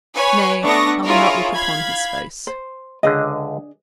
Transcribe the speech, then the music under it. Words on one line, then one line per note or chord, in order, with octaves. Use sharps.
Nay, I will not look upon his face.
B4 C#5 G#5
A3 B3 D4 C#6 D#6 A#6
E4 F4 G#4 A#4 C#5
F5 B5 G#6
C5
C#2 D3 D4 G#4 D#5